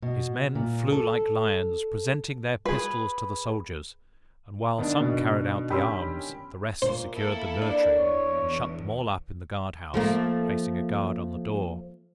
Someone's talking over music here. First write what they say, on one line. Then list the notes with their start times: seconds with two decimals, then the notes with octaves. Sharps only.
His men flew like lions, presented their pistols to the soldiers, and while some carried out the arms, the rest secured the military, and shut them all up in the guard-house, placing a guard on the door.
0.02 B2
0.55 A#2
0.92 A4
2.65 G#4 B4
4.78 D#3 B3 D4
5.00 B2
5.70 C#4 G4 B5 C6 E6
6.82 A#2 C5
7.14 A#3 E4 A4
7.62 D4
7.97 E2 C#5
9.94 F3 A3 A#3